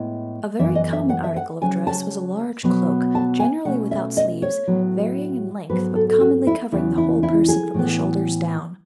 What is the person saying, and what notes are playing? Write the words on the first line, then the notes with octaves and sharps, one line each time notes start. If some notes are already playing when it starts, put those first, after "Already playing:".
A very common article of dress was a large cloak, generally without sleeves, varying in length, but commonly covering the whole person from the shoulders down.
Already playing: A2 G#3 B3
F#2 E3 B3 E5
D#5
E5
F#5
E5
F#5
C#3 F#3 C#4 G#5
A5
B2 F#3 B3
A5
G#5
B2 A3 C#4 F#5
E5
D#5
C#5
A2 F#3 B3
G#2 F#3 B3 B4
A4
F#4
E4
E2 C#3 E3 B3 E4
E4
E4
G#4
A2 E3 B3